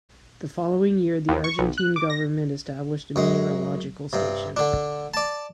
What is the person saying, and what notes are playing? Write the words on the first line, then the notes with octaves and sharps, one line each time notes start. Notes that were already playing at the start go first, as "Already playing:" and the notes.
The following year the Argentine Government established a meteorological station.
D#2
C#6
B1
F#6
D6
A#6
F#2 G#3
G2 C3
D3 D4
D5 A5